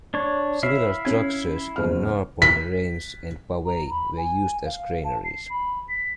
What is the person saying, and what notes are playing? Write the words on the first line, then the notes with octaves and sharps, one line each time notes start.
Similar structures in Narbonne, Reims, and Bavay were used as granaries.
D4 C#5
E4 C#5 E5 F5
C#4 G#6
F#1 E2 F6
B6
A#5
B5
G#5
F5
A5
C7
B5
B6